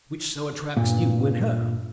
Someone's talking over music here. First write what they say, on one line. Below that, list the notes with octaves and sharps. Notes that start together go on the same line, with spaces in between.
Which so attracts you in her.
G2 A#2